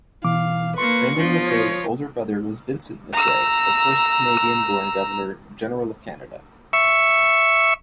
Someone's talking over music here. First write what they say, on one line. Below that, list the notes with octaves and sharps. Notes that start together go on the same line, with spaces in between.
Raymond Massey's older brother was Vincent Massey, the first Canadian-born Governor General of Canada.
B2 E3 F5 D6
A#3 B4 C6 C#6
F3 B3 D4
C#5
A#5 E6
E5 C#6